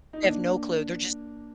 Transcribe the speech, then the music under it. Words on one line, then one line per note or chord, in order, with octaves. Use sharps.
They have no clue, they're just
D#4
A#3 D4